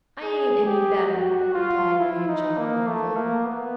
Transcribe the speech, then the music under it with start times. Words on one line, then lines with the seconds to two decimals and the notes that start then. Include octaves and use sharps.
"I ain't any better," replied William John mournfully.
0.23 G#4
0.66 G4
1.11 F#4
1.54 F4
1.99 E4
2.28 D#4
2.58 A#3
2.87 A3
3.16 A#3
3.46 B3